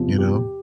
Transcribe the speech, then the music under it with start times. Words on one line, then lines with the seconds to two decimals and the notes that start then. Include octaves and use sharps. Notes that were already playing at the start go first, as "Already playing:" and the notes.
You know?
Already playing: E2 C3 F3
0.18 G4